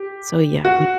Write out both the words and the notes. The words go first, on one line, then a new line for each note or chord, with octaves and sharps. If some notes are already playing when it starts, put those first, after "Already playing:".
So, yeah, we
Already playing: G4
F#4